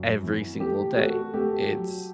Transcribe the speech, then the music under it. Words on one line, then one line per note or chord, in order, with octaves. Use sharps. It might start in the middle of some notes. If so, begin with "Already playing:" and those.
every single day. It's
Already playing: F#2
E3
A3 G4
A3 F#4
A3 G4
F#3